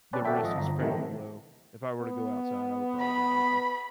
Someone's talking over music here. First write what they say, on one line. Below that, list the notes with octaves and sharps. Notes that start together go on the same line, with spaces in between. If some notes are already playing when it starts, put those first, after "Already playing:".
the risk is fairly low. If I were to go outside I would probably bring it with me.
C4 C#4 B4 D5 A5
F#4 A4 D5 E5 G5
G#1 F3 D#5
G1 A#5
C3 D#3 E3 F#3 A3
B3
B5